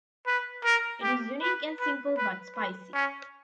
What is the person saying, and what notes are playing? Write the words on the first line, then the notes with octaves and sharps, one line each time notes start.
It is unique and simple but spicy.
B4
A#4
G4
B4
B4
B4
B4
C#4